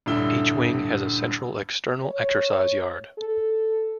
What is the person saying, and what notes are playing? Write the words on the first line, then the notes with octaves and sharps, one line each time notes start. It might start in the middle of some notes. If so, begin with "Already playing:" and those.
Each wing has a central external exercise yard.
D#1 G2 D3 E4 G7
C#5
A4